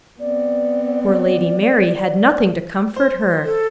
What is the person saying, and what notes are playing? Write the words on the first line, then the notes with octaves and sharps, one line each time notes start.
Poor Lady Mary had nothing to comfort her.
B3 C4 D5
C5
A4